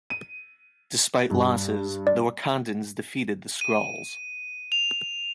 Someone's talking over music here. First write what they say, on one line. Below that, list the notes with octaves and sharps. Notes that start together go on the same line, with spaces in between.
Despite losses, the Wakandans defeat the Skrulls.
D#7
G2
D5
D#7
F7